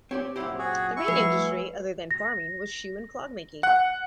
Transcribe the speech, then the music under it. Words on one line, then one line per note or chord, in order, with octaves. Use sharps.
The main industry, other than farming, was shoe and clog making.
C4 G4 C#5 D5
F#2 A#2 C4 E4 G4 C5 F#5
F#4 G#4
E4 C#6
F3 G3 A3 F#4 G#4 B4
A#6
F#5 F#6